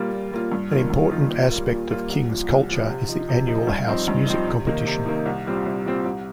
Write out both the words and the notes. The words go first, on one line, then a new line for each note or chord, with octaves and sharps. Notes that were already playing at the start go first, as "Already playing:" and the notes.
An important aspect of King's culture is the annual House Music competition.
Already playing: A#2 G3 A#3 F4
A#2
G3 A#3 F4
G2
D#3 A#3 F4
G2
D#3 A#3 F4
A#2
G3 A#3 F4
A#2
G3 A#3 F4
C2
A#2 F3
C2
A#2 F3
C3
F3 D#4
C3
F3 D#4
G2
F3 C4 D#4
G2
F3 C4 D#4
C3
D#3 A#3 D#4
C3
D#3 A#3 D#4
C2
A#2 G3 C4
C2
A#2 G3 C4
C2